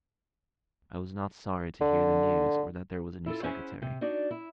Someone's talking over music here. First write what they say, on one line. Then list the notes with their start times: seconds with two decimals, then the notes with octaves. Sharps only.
I was not sorry to hear the news or that there was a new secretary.
1.81 D3
3.26 E4 F4 A4
3.43 C#4 E4 G#4 C5 F#5
3.82 C3
4.01 D4 D#4 F#4 D5
4.31 E4